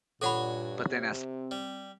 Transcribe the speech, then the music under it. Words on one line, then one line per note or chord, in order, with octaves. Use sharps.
But then as
G2 A#2 F#4 A4 C#5 F#5 G#5 B5
C3 C4
G3